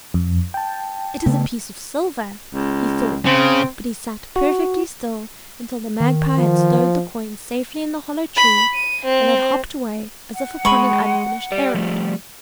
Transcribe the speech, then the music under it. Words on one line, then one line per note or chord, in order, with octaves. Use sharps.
"It is a piece of silver!" he thought, but he sat perfectly still until the Magpie had stowed the coin safely in the hollow tree and had hopped away as if upon an unfinished errand.
F2
G5 A5
C#3 A3 B3
C#2
C#3 C4
F#4
D#3
F3
B5
D#7
C4
F#5
G#3 G#4 B5 C#6
G4 D5
F3 G3 A3